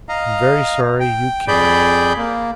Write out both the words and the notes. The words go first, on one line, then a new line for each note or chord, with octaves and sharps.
"I am very sorry you can't."
D#5 F5 A#5
G5
F2 G#4 D5 B5 G6
A#3